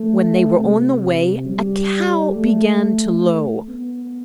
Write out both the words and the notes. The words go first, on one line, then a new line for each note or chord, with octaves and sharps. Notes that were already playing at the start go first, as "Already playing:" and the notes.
When they were on the way, a cow began to low.
Already playing: A3
C3
G3
A3
B3